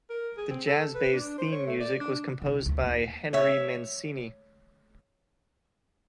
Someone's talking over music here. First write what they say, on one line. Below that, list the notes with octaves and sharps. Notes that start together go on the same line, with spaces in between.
The jazz-based theme music was composed by Henry Mancini.
A#4
G#4
C4
A4
B4
D4
C5
C#5
A3
D5
D4
C2 D#3
D2 A3
D#2
C#5 E5